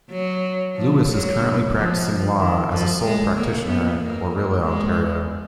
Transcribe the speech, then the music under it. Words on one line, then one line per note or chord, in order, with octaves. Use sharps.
Lewis is currently practicing law as a sole practitioner in Orillia, Ontario.
F#3
F3
F#3
F3
D#3
F3
G#3
A#3
B3
A#3
G#3